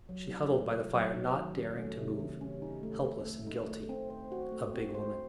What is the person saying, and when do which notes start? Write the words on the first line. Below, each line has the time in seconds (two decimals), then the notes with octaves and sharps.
She huddled by the fire not daring to move, helpless and guilty, a big woman.
0.09 F#3
0.30 D#4
0.51 A3
0.72 C3
0.94 F#3
1.14 D#4
1.36 D#3
1.56 C#4
1.78 A3
1.99 C3
2.20 D#3
2.41 C#4
2.62 D#4
2.83 A3
3.05 A4
3.26 A3
3.47 D#4
3.67 A3
3.89 C4
4.10 C5
4.32 F#4
4.52 A3
4.73 C4
4.95 C5